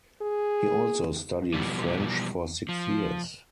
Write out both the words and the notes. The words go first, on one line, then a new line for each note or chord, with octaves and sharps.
He also studied French for six years.
G#4
B2 E3 F3 G3
F3